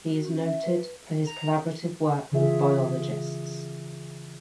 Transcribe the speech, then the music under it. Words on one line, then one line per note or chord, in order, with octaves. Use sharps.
He is noted for his collaborative work with biologists.
F#4
C#4
E5
B4
A#5
C#3 E3 F4 G#4 E5